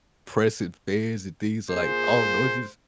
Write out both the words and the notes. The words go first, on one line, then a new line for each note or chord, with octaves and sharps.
pressing fans and things, like, I don't know, it's just
A#3 F4 G#4 C5